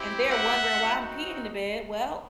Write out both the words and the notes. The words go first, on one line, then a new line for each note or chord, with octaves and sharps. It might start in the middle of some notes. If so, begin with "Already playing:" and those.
and they're wondering why I'm peeing in the bed. Well,
Already playing: C4 E4 G4
E5 F#5
C4 D#4 F#4